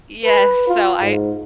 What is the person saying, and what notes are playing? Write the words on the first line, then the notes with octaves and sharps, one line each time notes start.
Yes, so I
B4
F4
G#2